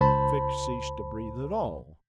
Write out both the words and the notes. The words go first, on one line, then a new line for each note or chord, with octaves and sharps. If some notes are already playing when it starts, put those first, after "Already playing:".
Fix ceased to breathe at all.
C#2 C5 A5 B5